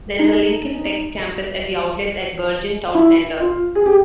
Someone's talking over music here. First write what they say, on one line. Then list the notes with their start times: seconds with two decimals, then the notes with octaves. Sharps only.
There is a Lincoln Tech campus at The Outlets at Bergen Town Center.
0.19 D#4
2.95 E4
3.40 F4
3.75 G#4
3.86 G4